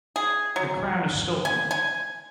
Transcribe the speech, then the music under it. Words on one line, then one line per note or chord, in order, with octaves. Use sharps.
The crown is stolen!
G#4
F#3
G#5
G#5